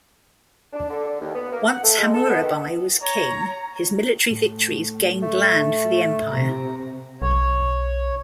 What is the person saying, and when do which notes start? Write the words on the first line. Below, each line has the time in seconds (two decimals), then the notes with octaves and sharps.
Once Hammurabi was king, his military victories gained land for the empire.
0.73 D4
0.90 D3
1.05 D3
1.21 D#2
1.34 B3
1.52 A#3
1.69 F#5
1.83 A3
1.98 G#3
2.13 A4
2.29 B3
2.42 D#3
3.03 C#5 A#5
4.31 A2
5.23 A3
6.31 C3 A#5
7.22 B1 C#5